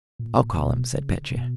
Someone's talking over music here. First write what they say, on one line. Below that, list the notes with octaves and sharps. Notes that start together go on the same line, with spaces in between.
"I'll call him," said Petya.
A#2
B2
C#3
B2